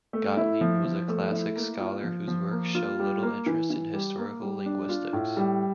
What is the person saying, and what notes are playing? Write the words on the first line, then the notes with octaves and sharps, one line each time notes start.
Gottlieb was a classics scholar whose works show little interest in historical linguistics.
A3
E4
F3
F3
A3
E4
A#3
F4
F3
F3
A#3
F4
G3
A#3
E3
E3
G3
A#3
G3
D4
F4
A2
G3